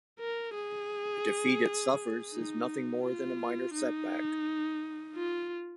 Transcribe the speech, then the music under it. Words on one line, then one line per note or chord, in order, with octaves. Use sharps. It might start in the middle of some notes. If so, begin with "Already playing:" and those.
A defeat it suffers is nothing more than a minor setback.
A#4
G#4
D#4
F4
D#4
F4